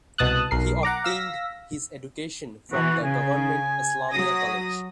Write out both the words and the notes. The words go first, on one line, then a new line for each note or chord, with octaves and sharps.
He obtained his education from the Government Islamia College.
C2 B2 A5 D#6 F#6
B1 A#4 C7
F#5 A#5 D6
F5 E6 A#6 B6
E3 F#4
C#3 G#5
F#3 D#6 A#6